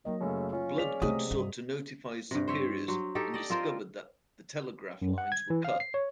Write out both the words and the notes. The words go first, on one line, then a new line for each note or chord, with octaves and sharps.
Bloodgood sought to notify his superiors and discovered that the telegraph lines were cut.
D#3 F#3 A#3 D#5
F#2 C#3 A3 C#4
C#4 F4
G#4 D5 F5 B6 F7
C3 A3 F#4 G#4 D#5 D#6
G2
G2 C3
C5 C#5 E5
F#3 C5
D#4 G4 A4 C#5
D5 D#5
C4 F4 A#4 C5
F#2
F#5
G#6
E3
F5
C7
C#5